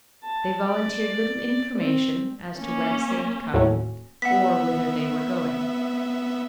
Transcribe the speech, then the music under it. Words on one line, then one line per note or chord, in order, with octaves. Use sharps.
They volunteered little information as to whence they had come or whither they were going.
A5
D5
C4
A#3 C#4
D#2 A2 F#3
B3 E5 F#5 B6